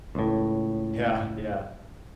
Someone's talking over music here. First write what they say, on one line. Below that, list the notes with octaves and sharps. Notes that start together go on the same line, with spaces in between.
Yeah, yeah.
C#2 A2